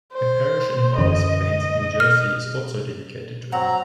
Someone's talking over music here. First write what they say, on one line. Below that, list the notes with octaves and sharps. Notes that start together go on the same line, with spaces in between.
A parish in Morris Plains, New Jersey, is also dedicated to him.
C5
F#2 D3 E3 D#5
F6
F#3 C4 F#5 A#5